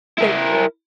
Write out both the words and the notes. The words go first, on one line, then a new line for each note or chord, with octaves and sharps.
Take care.
E4 A#4